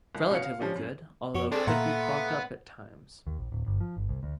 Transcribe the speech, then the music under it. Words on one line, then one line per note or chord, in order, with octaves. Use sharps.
Relatively good, although could be clogged up at times.
C2
B2 C#4 F5 C#7
F5
F3 G3 C#4 D4 F4
F#2
F2 F#4 C#5 C#6
C4 D4 G#4 A4 D5
A#2 A3 B3 F5 F#5 A#5 C6
D#2
A#1
D1
G1
F3
G1
C2
D2